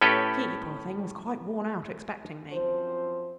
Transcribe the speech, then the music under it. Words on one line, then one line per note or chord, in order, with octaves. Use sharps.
She, poor thing, was quite worn out expecting me.
A2 C#4 G4 A4 B4 G5
F#2 F3 C4 C5